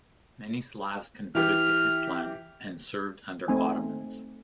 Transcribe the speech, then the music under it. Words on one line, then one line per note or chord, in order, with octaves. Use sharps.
Many Slavs converted to Islam and served under Ottomans.
E3 G4 F6
A3 C4 D#4 G#5